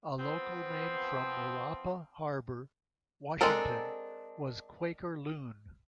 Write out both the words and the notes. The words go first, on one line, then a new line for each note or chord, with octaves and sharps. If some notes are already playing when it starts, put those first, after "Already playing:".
A local name from Willapa Harbor, Washington was "Quaker loon".
F3 B3 C4
G#3 C4 D4 A4 A#4